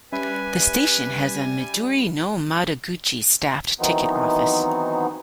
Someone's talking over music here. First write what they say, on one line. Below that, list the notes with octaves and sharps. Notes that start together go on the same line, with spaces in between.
The station has a "Midori no Madoguchi" staffed ticket office.
G3 C#4 B4 E5 G#5 B5
D#3 E3 F#3 B3 C4 D#4